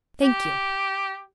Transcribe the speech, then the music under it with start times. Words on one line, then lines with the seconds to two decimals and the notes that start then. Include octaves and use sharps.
"Thank you."
0.23 G4